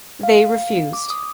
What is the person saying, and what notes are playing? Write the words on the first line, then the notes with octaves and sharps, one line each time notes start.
They refused.
F5
D6
D#6